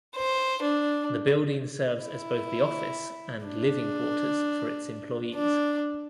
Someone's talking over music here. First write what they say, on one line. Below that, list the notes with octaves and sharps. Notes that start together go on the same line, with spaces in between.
The building serves as both the office and living quarters for its employees.
C5
D4
E4
D4
D4